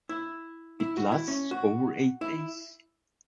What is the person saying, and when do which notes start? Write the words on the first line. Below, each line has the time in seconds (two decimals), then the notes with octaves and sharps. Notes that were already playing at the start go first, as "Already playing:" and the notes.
It lasts over eight days.
0.09 E4
0.80 E4
0.97 F#4
1.12 E4
1.28 C#4
1.51 F#4
2.21 E4